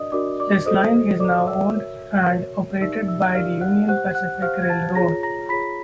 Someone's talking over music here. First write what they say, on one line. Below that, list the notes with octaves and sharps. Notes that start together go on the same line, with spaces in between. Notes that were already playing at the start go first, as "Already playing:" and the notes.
This line is now owned and operated by the Union Pacific Railroad.
Already playing: D4 F#4 A#4 D5 D#5 D#6
D4 F#4 A#4 D5 D6
D5 D6
F#4 A4 C5 D#5 D#6
F#4 A4 C5 D5 D6
E5 E6
F#4 A#4 C#5
F#4 A#4 C#5
D#4 G4 A#4 D5 E5 E6
E5 E6
D#4 G4 A#4 D5 F5 F6
F#5 F#6
G4 C5 F#5 F#6
F#5 F#6
G4 C5 F5 F6
G#6
A5 A6
F4 G#4 C#5 A#5 A#6
A#5 A#6
F4 G#4 C#5 B5 B6